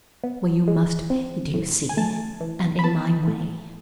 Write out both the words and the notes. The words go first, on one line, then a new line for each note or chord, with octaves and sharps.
Well, you must pay, do you see, and in my way?
B3
G#3
C4
A2
G#5
A3 A5
E3
B5
B3 A5
A2